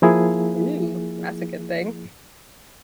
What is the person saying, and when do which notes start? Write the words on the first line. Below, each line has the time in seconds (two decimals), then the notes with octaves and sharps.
Ooh, that's a good thing.
0.02 F3 A#3 E4 G#4